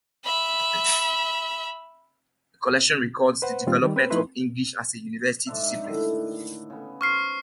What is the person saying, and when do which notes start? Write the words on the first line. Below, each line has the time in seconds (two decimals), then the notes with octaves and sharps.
The collection records the development of English as a university discipline.
0.25 E5 B5
3.42 B4 C5 F#5
3.67 A#2 D#3 G3 A#3 C4 F4
3.83 D#3 G3
3.96 C4 B4
4.10 F3 A3 D#4 E4 B4 C6
5.47 G#2 D4 E5
5.84 A2 D3 D#3
6.70 C#3 B3
7.01 C5 C#6 F6 C7